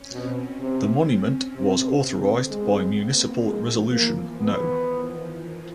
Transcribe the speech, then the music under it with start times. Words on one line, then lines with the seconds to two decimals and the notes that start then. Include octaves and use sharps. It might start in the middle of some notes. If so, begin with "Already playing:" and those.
The monument was authorized by municipal resolution no.
Already playing: C#4
0.12 B2 C4
0.60 C3
1.55 C3
1.87 C3
2.18 D3
2.49 G#3 B3
2.96 A#3
3.44 F3 G#3
3.91 E3 A#3
4.39 D#3 B3